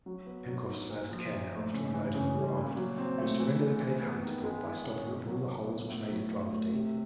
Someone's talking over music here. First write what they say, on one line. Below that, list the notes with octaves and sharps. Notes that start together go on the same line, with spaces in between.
Pencroft's first care, after unloading the raft, was to render the cave habitable by stopping up all the holes which made it draughty.
F#3
B3
F#3
D#4
A#2
F3
A#2
A3
C#3
E3
C#3
G3
A#2
F#3
C4
A3
E3
G#3
E3
B3
D#3
G#3
E4
C#4
B2
F#3
B2
B3
A2
F#3
A2
A3
C3